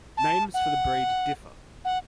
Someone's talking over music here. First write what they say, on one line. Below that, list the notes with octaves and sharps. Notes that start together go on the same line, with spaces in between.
Names for the breed differ.
A5
F#5
F#5